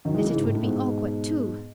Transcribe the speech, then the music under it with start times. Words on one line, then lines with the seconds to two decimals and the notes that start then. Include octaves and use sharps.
Yet it would be awkward too.
0.05 D#3 F#3
0.14 E3 G#3
0.24 C#3 E3
0.34 G#2
0.44 A2
0.55 A2
0.63 G#2 B2